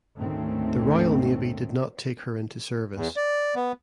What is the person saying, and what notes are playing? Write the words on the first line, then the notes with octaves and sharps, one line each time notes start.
The Royal Navy did not take her into service.
D2 G#2 D#3 A3 C4 C#4
E2
D5
B3